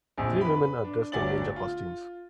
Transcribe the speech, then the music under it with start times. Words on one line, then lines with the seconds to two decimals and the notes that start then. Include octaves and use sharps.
Three women are dressed in ninja costumes.
0.18 A#1 F2 C4
0.41 B4 B5
0.84 D4
1.12 G1 D2 C#5 D5 A6 F#7
1.56 F4